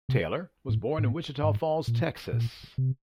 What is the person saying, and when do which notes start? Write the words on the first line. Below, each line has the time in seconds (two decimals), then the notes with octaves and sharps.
Taylor was born in Wichita Falls, Texas.
0.09 C3
0.69 A2
0.98 A2
1.43 G#2
1.88 A#2
2.33 A#2
2.78 C3